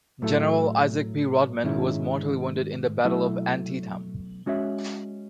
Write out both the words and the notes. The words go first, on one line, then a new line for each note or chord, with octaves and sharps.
General Isaac P. Rodman, who was mortally wounded at the Battle of Antietam.
A2 F#3 A3 E4 A4
G#2 D#3 G#3 C#4 E4
B2 F#3 A3 E4
G#3 C#4 F#4 C#5 E5